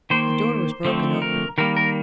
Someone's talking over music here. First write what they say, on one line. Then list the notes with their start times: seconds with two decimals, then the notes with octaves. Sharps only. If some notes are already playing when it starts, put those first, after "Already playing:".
The door was broken open.
0.10 D#3 A#3 C5
0.85 D3 F3 A3 C4
1.22 A#4
1.58 D#3 G3 A#3 A#4
1.77 A#4